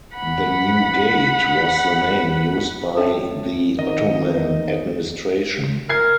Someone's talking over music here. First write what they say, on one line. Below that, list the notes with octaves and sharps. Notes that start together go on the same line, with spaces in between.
The "New Gate" was the name used by the Ottoman administration.
F#5 B5
C#4 A4 E5 G5 A5
D#3 D#5
A#4 G#6 C7